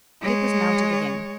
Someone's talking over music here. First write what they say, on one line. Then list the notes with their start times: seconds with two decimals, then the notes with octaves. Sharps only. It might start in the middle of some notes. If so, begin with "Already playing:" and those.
Dick was mounted again.
0.21 G#3 C#5